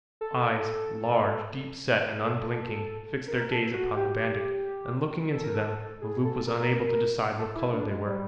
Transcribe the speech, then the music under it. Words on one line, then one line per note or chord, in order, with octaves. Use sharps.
Eyes, large, deep-set and unblinking, fixed their gaze upon the bandit, and looking into them, Le Loup was unable to decide what color they were.
A4
A4
A#4
A4
F#4
G4
A4
A#4
A4
A4
G#4
A4
A#4
A4
E4
D4
G#3
G3